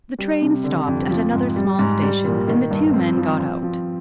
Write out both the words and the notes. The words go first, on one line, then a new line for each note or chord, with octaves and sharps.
The train stopped at another small station, and the two men got out.
G3
C3
D3
F2
F3
G#2
G3
G#2
G3
A#2
D#3
G2
C4
F3
C4
F3